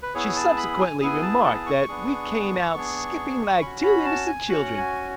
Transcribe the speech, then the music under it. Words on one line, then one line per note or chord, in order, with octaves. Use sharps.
She subsequently remarked that we came out skipping like two innocent children.
B4
B3 E4 G#4 C#5
A5
B5
G#5
B3 E4 G#4 G#5
A5
A5
C#6
B3 D4 G#4
B3 D4 G#4
C#4 F#4 B5
B5
A5
G#5
C#4 F#4 F#5
G#5